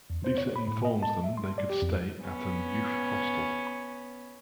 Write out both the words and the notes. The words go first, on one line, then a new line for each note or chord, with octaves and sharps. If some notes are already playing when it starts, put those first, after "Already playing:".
Lisa informs them they could stay at an youth hostel.
E2
C5
C#5
B5
A2
D#5
A5
E5
C6
D5
G4
F2
B3 C#4